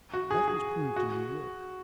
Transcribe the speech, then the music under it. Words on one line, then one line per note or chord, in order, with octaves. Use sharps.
That was proved in New York.
F#4
G#4
G#4
F#4